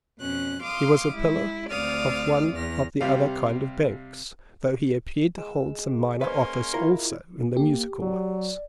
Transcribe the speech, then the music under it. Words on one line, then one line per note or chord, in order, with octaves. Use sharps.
He was a pillar of one of the other kind of banks, though he appeared to hold some minor office also in the musical ones.
F2 B2 C#4 F#6
F5 C6 D6 D#6 F6
G#3 E4
D2 C4 D5 F5 D#6 F6
E2 F6 A#6
C3 G3 F5
G#3 E6
A#3 C#4 B4 C5 C6
E4 F4 A#4
A#3 G4
F#3 D5